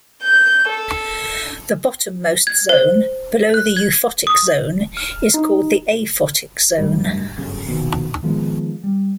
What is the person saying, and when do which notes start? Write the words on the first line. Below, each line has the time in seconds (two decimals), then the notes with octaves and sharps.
The bottommost zone, below the euphotic zone, is called the aphotic zone.
0.21 G6
0.69 A4
2.47 G#6
2.69 C5
3.54 F#6
3.77 G#6
4.27 D#6
4.97 F6
5.34 D#4
6.78 F#1 D2 G#2 G3
7.38 G1 F#2 C#3
7.65 F1 A#1 B2 D#3
8.23 D#3 F3 G#3 B3
8.83 G3